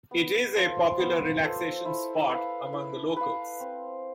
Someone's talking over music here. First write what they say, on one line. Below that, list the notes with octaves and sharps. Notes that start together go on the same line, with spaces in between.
It is a popular relaxation spot among the locals.
B3
F4 A4 C5
B3
F4 A4 C5
E4
B4 F5
E4
B4 F5
C4